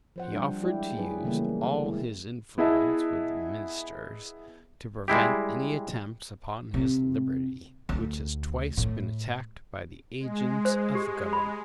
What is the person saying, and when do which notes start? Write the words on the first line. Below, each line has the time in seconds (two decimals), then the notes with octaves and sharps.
He offered to use all his influence with the ministers to prevent any attempts upon his liberty, which has twice been attacked by the agents of government.
0.16 F3 C5 F#5
0.32 G3 D4
0.62 G#3 E4 G4 D5
0.95 F#3 G#4 B4
1.24 C#3 E3 G3 A3 A#3
1.84 G#3 E4
2.58 B3 E4 G#4 D#5 E5 A5
5.08 G3 G#3 E4 G4
6.74 C3
7.89 D2
8.77 A2
10.19 G#3
10.65 C5
10.95 G4
11.33 B5